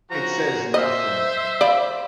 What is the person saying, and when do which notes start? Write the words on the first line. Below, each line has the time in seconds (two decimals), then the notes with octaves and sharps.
It says nothing.
0.11 C#3 F3 F#4 A#5
0.74 C5 D#5 E5
1.61 D5 F5 B5